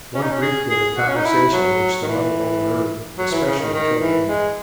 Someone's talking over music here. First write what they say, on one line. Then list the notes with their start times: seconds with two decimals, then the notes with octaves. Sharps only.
One brief bit of conversation which the mother overheard especially troubled her.
0.15 C#4
0.23 D#4
0.32 C#4
0.41 G#4
0.69 G#4
0.97 F#4
1.08 C#4
1.17 D#4
1.25 E4
1.53 F#3
2.02 D#3
2.07 E3
3.18 F#3
3.31 E3
3.45 C#3
3.59 D#3
3.74 D#3
4.01 E3
4.28 G#3